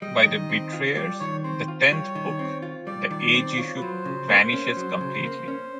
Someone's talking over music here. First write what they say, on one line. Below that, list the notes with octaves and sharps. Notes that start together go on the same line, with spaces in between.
By "The Betrayers", the tenth book, the age issue vanishes completely.
G3 D#5
D#3
C4
F4
G3 D5
D#3 C#5
C4 C5
F4
G3 C#5
D#3
C4
F4
G3 D5
D#3 D5
C4 D5
F4 C#5
B4
F#3 C5
C#3
A#3
C#4
F#3
C#3
A#3
C#4